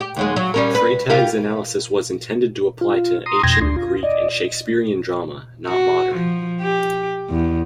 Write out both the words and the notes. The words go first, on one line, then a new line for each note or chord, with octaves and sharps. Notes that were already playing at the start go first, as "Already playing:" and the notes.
Freytag's analysis was intended to apply to ancient Greek and Shakespearean drama, not modern.
G4
D#2 F#3 G#3
F#3
G3 C#4 A#4
B4
F4 G4 A#4
F4
A#5 C6 D#6
F2 B2 G5 C6 G#6 A#6
D2 D4 C6
F4
D5 D#5
F#4
F3
G4
E2